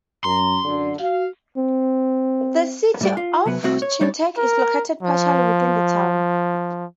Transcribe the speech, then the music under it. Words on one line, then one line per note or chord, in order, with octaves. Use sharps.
The City of Chetek is located partially within the town.
F#2 A#5 C6
F#2 D3
F#4 F5
C4
A2 G3 D5
F4
C3 F#3 B3 B4
C2 A2 C4 F#4
C#5
G3 D#4 C#5 D5
A#4
F3